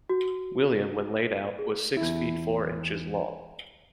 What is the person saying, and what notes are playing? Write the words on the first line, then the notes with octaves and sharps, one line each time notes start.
William, when laid out, was six feet four inches long.
F#4
G#4
E2 E4